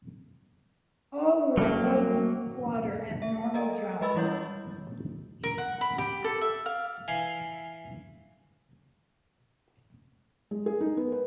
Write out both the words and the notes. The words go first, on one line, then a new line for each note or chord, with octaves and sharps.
All were above water at normal draught.
F#2 F#3 G3 A3 A#3
E5
A4 A#4 D#5 A#5
G#3 B4 D#5 B5 E6 A6
E3 G3 E4 C#5 G6
A#4
F#5
B5
G4
A4
E5
F5
E3 F5 G#5
G#3
G#4
D#4
B3
B4